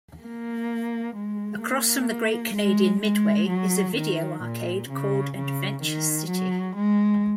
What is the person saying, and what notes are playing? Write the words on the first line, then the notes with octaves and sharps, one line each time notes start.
Across from the Great Canadian Midway is a video arcade called Adventure City.
A#3
G#3
A#3
G#3
G#3
F#3
D#3
A#2
C#3
C#3
D#3
F#3
G#3